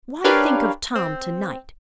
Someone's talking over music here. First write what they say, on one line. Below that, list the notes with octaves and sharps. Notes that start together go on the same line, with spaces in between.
Why think of Tom to-night?
D4 G4 A#4 B4 C#5 F5
C4